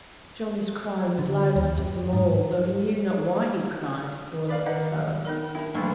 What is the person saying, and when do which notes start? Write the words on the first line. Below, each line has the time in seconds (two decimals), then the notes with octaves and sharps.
Johnny's cry was loudest of them all, though he knew not why he cried, poor little fellow.
1.19 D3
1.56 D#2
1.78 F#2
2.13 G#2
4.48 B4 D5 F5
4.66 D#3 D#5 F#5
5.25 B3 D#4 A#4
5.55 E4 G5 A5
5.75 B1 D3 E3 A3 A#3 C#6